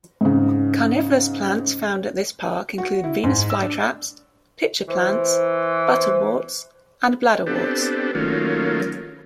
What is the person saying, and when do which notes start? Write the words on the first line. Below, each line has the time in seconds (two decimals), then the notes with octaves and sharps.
Carnivorous plants found at this park include Venus flytraps, pitcher plants, butterworts and bladderworts.
0.21 G#2 C#3
2.78 F#4
3.04 E4
3.24 G#2
3.50 E6
3.62 D4
4.88 E3 C5
7.46 B3 C4 D4 G4 A4
8.15 D#3 F#3 A3 A#3 C#4 F4